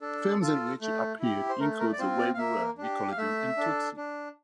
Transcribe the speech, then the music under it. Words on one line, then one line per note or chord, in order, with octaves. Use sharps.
Films in which he appeared include "The Way We Were", "Nickelodeon", and "Tootsie".
D4 A4
F4 A4
A3
E4 G4
C5
A3 A#4
A#4
D5
C4 F4 C5
D5
F5
A#3 E5
D4 G4
F5
A3 E5
D4 A4
D4